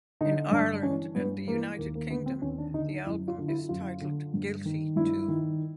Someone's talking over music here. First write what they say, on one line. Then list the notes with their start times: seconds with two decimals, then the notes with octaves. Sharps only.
In Ireland and the United Kingdom, the album is titled Guilty Too.
0.21 D3 D#4
0.51 G2 D4
0.83 E3 C#4
1.15 G2 B3
1.47 E3 A#3
1.78 D#2 A#3
1.95 A#3
2.10 D3 B3
2.26 C4
2.42 D#2 C#4
2.58 D4
2.74 D3 D#4
2.90 D#4
3.06 F#2 E4
3.28 F4
3.38 D3
3.48 E4
3.69 F#2 F4
4.02 D3
4.34 G2
4.65 D#3
4.96 G2 E4
5.28 D#3